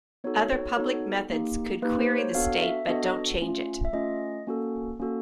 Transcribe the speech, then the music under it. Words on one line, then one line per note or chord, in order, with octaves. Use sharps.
Other public methods could query the state but don't change it.
B3 D#4 F#4 A4 C#5
C#5
C#5
B3 D#4 F#4 A4 C#5
A#3 D#4 G4
A#3 D#4 G4 B4
C5
C#5
B3 D4 F#4 A4 F5
E5
B3 D4 F#4 A4 D#5
A3 C#4 F4
E5
A3 C#4 F4 D#5
A#3 C#4 F#4 A4
A#3 C#4 F#4 A4